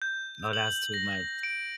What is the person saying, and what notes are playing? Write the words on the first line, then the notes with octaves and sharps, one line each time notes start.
No, that's too much
G6
F#7
A#6
D7